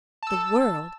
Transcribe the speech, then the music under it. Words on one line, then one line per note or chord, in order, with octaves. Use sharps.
The world!
A5 E6